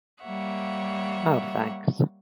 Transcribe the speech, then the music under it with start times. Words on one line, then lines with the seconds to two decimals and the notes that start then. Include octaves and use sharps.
Oh, thanks.
0.23 G3 A#3 C#5 E5 F#5